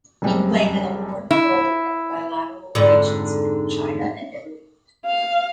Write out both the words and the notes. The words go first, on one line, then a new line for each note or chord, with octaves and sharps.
He played an important role in the bilateral relations between China and Italy.
F#1 F#2 G3 G#3 C4
E4
F2 G#2 D3
F5